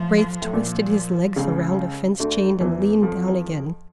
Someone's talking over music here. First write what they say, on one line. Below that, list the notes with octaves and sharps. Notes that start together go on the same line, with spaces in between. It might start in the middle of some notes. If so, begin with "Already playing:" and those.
Braith twisted his legs around a fence-chain and leaned down again.
Already playing: A2 F3
A2
A#2 F3
C#2 C#3
D2 D3
E2 E3
F2 F3